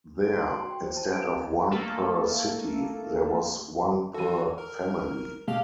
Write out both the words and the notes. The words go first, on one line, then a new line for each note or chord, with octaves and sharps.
There, instead of one per city, there was one per family.
D7
C6
F#4
G5
C5
A5
D7
C4
A3 A#3 A4
E3 F#4 A4 D#7
A#4
B2 G#3 A3 G4 F5